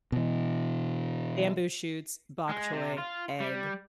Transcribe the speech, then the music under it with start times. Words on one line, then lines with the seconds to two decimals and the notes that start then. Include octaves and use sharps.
Bamboo shoots, bok choy, egg
0.12 B2 E3
2.49 G#3
2.72 C3
2.98 F4
3.40 G3